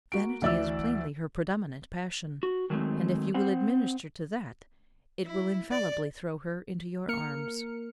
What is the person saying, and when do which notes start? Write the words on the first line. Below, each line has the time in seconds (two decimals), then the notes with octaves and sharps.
Vanity is plainly her predominant passion, and, if you will administer to that, it will infallibly throw her into your arms.
0.12 A#3 F#4 D7
0.42 D2 E3 D5 E5 E6
2.43 F#4
2.70 D#3 F#3 G#3 A3 C4
3.34 C4 C5 F#5
5.25 E4
5.71 D5
7.08 A#3 A#4 F6 C#7